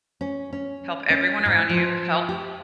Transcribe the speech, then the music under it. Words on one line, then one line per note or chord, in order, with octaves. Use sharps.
help everyone around you, help
C#4
C#4
C#4
G#2
F3
G4